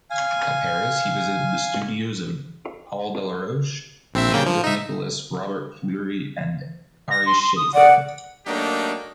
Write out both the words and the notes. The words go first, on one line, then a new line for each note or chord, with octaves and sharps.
At Paris, he visited the studios of Paul Delaroche, Joseph-Nicolas Robert-Fleury and Ary Scheffer.
F5 G#5
A#1 C4 E5
C#3 A#3 G5
F3
D#4 E5
A#6
C6
C6
D#6
D5 F#5
F#3 A3 A#3 D4 D#4 G4